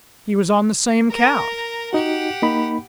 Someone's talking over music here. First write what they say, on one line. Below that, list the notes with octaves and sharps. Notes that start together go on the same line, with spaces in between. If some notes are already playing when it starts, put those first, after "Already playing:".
He was on the same couch.
A#4 A#5
D#4 F#4 G4 F#5
A#3 D#4 B5